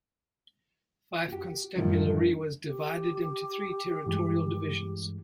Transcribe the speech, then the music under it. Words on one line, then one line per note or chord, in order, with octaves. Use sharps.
Fife Constabulary was divided into three Territorial Divisions.
F#4 G4
F#2 A2 D3 D#3 F3 G3
G4
G2 E3 G#3